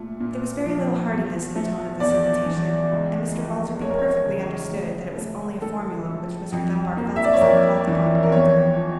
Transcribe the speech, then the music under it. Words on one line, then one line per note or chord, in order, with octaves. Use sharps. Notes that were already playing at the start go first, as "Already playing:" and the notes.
There was very little heartiness in the tone of this invitation; and Mr. Balderby perfectly understood that it was only a formula which Mr. Dunbar felt himself called upon to go through.
Already playing: A#2 A3
A#2
F3
E2
A3
E2 D5
E3
C#2
F3
A3 C#5
A#4
C#5
C#3
A2
A3
A2 A4
F3
F2
A#3
E5
D5
C#5
F2 A#4
E3
A#4
E2 C#5
F3